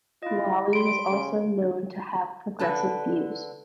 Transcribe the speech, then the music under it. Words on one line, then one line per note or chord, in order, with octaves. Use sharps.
Filali was known to have progressive views.
E4 F4 D#5
G3 B5 C6 D7
C#3
D3 B4 A5